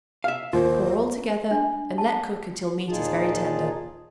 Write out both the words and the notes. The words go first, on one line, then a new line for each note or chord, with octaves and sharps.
Pour all together and let cook until meat is very tender.
E5 F5
D#2 F4 C5
D4
A5
D#2 A#2 D#4 F4 G#4 A5